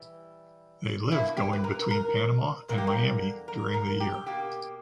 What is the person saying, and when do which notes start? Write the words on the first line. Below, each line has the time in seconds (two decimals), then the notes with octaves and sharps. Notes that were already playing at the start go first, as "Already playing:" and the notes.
They live going between Panama and Miami during the year.
Already playing: E3 G3
1.11 B2 A#3 E4
1.37 G4
1.53 B4
1.64 A#4
1.90 A#4
2.68 E2 D3 G3 A#3 A#4
2.78 G4
2.87 A#4
3.48 A#4
3.74 A#4
4.00 G4
4.26 B2 A#3 G4